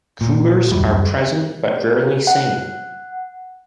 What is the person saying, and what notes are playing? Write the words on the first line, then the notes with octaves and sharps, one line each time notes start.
Cougars are present but rarely seen.
A#2
D1 F#2 G3
F#5